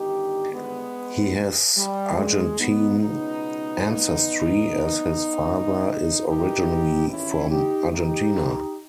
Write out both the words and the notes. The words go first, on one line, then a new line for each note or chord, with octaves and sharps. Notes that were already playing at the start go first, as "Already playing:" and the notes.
He has Argentine ancestry as his father is originally from Argentina.
Already playing: G1 G2 D#3 D#4 G4
G#3 B3
G3
G#3
B3 D#4
C#2 B2 B3 D#4
G#1 G2 E3 D#4 G4
C#4 E4
D#4 G4
D#4 G4